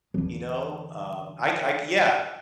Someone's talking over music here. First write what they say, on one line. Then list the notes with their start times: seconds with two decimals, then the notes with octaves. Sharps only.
you know? Um, I c I c yeah,
0.14 E2 D3